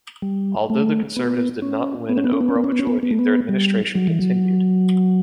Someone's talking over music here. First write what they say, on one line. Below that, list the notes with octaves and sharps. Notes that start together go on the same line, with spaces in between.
Although the Conservatives did not win an overall majority, their administration continued.
G3
A3
B3
C#4
B3
C#4
B3
C#4
B3
C#4
B3
C#4
B3
C#4
B3
B3
A3
B3
G3
F#3
E3
F#3